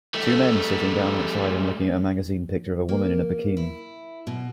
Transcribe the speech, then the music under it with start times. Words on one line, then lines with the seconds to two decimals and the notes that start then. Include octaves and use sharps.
Two men sitting down outside and looking at a magazine picture of a woman in a bikini.
0.15 G3 A3
2.89 A#3
3.57 E4
4.27 B2